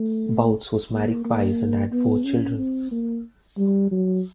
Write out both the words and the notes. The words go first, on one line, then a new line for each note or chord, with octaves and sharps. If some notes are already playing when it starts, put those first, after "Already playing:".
Bouts was married twice and had four children.
Already playing: A3
A#3
A#3
B3
C#4
C4
A#3
G3
F#3